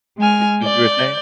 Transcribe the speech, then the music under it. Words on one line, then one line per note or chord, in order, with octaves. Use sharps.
The You were saying?
G#3 G#5 F6
D5 G6